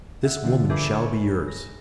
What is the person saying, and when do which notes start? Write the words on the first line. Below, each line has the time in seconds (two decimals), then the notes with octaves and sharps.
This woman shall be yours.
0.23 E5 F#5
0.44 D3 F3
0.70 G#4 A4 B4 E5 D6 G6
0.93 C#5
1.48 A#6